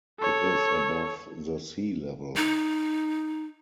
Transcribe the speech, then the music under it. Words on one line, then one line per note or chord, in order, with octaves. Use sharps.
It is above the sea level.
A4 C#5
D#4